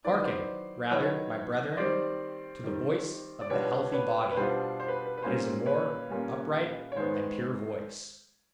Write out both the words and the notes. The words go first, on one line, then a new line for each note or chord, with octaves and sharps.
Hearken rather, my brethren, to the voice of the healthy body; it is a more upright and pure voice.
D#3 F#3 B3 E4 D5
D#5
C5 D5
D#3 F#3 B3 E4 C#5 D#5
D#5
D#3 G3 C4 C5 D5
D#3 G3 C4
D5
B2 G3 B3 D4 F4 B4 C#5
B4 C#5
B4
B2 G3 B3 D4 F4 C5
C5
B4
B4
B4
A#2 G3 A#3 C#4 F4 C5
B4 C#5
A#2 G3 A#3 C#4 F4
C#5
G#2 D#3 G#3 B3 C5